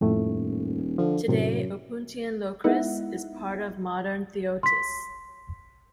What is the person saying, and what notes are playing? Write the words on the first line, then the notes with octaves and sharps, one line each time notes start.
Today, Opuntian Locris is part of modern Phthiotis.
D#1 F2 A2 A3
D3 F3
F#2 A2 C3
G#3 B3 D#4 E4 E5 F#5
C6 B6